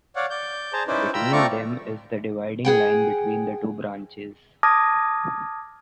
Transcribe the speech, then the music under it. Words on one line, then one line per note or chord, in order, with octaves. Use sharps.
Between them is the dividing line between the two branches.
C#5 D5 F5 F#5
D5 G6
G#4 C5 A5 A#5
C#4 D#4 E4 B4 C5 D5
F4 G5 A#5 B5 E6
A3 C4 F4 D5 A#5 C#6
G#4 F#5 G5
A5 D6 D#6 F6 G#6 A#6